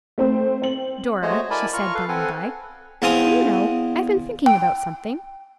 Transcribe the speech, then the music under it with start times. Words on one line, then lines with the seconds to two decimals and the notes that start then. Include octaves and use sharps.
"Dora," she said, by-and-by, "do you know I've been thinking about something?"
0.18 A3 C4 C5
0.62 C4 F#7
1.22 G#3 A3 F#4 C5 C#5 D#5
1.51 E4 A#4 D5 G#5 A5 B5
1.74 F4 A#5 C#6 F6
1.95 A4 B4 F5
2.09 C4 A4 B4 F#5 G#5
3.02 E2 C4 F5 G#5 D#6
4.46 G5